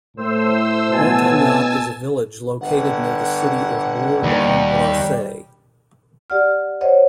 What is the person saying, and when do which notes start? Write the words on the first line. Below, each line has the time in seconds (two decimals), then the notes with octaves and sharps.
Montagnat is a village located near the city of Bourg-en-Bresse.
0.17 A2 C5 E6
0.90 B2 B3 G#5 A5 E6
2.61 G1 F#5
4.23 D#2 G3
6.30 G4 D5 F#5 F6
6.81 C5 C#5 D#5 F#5